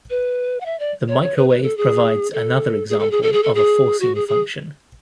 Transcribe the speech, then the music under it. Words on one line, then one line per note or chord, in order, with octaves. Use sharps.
The microwave provides another example of a forcing function.
B4
F#5
E5
D5
C#5
C#5
B4
B4
A4
G#4
A4
G#4
A4
G#4
A4
G#4
A4
G#4
F#4
G#4
G#4